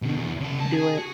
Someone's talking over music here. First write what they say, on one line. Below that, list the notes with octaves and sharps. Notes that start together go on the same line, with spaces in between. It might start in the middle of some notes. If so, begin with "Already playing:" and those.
Do it.
B2 D3
E2
C#3 A5
C2 A5
G#4 G#5
F#4